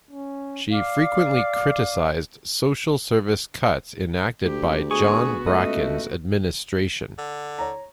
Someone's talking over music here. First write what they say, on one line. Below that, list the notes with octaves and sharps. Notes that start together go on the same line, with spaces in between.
She frequently criticised social service cuts enacted by John Bracken's administration.
C#4
D5 F5 D6
D2 G4
B3 F#4 G#4 C#6
C#2 A3 D#5
D3
C#5 A#5